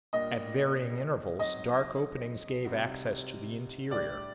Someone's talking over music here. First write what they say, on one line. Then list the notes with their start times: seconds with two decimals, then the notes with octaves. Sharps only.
At varying intervals dark openings gave access to the interior.
0.13 A#2 G3 A#3 D4 G4 D#5
1.39 F#3 C4 D#4 D#5
2.65 C3 G3 C4 D#4 F#4
3.91 A2 G3 D4 G4 D5